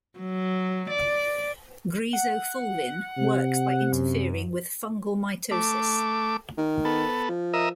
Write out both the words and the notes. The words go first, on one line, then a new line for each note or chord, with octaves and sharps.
Griseofulvin works by interfering with fungal mitosis.
F#3
D5
F#5
C3
F#2
A3 D6
D#3
B3 A4
F3
A#4 D#5 E5